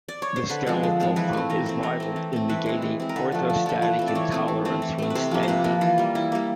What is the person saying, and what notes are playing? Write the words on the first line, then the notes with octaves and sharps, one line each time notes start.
The skeletal pump is vital in negating orthostatic intolerance when standing.
D5
C#5
C5
D3 B4
F3 G#3 C4
D3 C5
F3 G#3 C4
E3 B4
A3 C4
E3 A#4
A3 C4
E3 A#4
A3 C4
E3
A3 C4
E3 B4
G#3 C4
E3
G#3 C4
A#4
D3 B4
F3 A3
D3
F3 A3
E3 B4
A3 C4
D5
E3 C#5
A3 C4
E3
A3 C4
E3
A3 C4
B4
C3 C5
F3 A#3
C5
C3 B4
F3 A#3
E3 F4
G3 A#3
E3 E4
G3 A#3